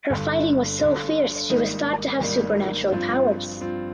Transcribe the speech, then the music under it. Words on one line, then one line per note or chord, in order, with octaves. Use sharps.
Her fighting was so fierce she was thought to have supernatural powers.
G1 G2 D3
G1 G2 D3
G#1 G#2 G3 A#3 D#4
G#1 G#2 G3 A#3 D#4
G2 F3 C4 F4
G2 F3 C4 F4